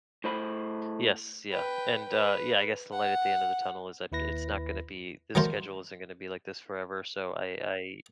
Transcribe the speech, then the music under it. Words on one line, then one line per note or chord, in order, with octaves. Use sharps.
Yes, yeah, and, uh yeah, I guess the light at the end of the tunnel is that it's not gonna be this schedule isn't gonna be like this forever, so, I I
A2 C5 B5
B4 G5
B4
F#5
D#2 E4 B4 A#6
F#3 G3 A3 A#4 C5